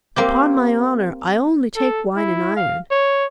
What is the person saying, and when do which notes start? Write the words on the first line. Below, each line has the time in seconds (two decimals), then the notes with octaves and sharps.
'Upon my honour, I only take wine and iron.
0.16 A#3 C4 G4
1.76 A4
2.16 E4
2.57 F5
2.91 C#5